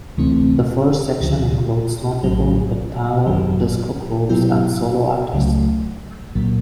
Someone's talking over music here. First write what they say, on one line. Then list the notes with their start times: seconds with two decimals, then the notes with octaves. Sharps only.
The first section includes notable Italo disco groups and solo artists.
0.17 D2 C3 E3 A3 C4
1.21 D2 D3 F3
2.23 A#1 A2 F#3
3.26 G#1 F#2 D#3 F#3
4.29 B2 F#3 B3 E4 G4
5.32 C#2 C#3 F#3 A3
6.35 C2 A#2 F#3 A#3